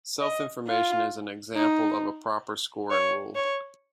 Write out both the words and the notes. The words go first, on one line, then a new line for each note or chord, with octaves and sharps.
Self-information is an example of a proper scoring rule.
D#5
F4
D#4
C#5
C#5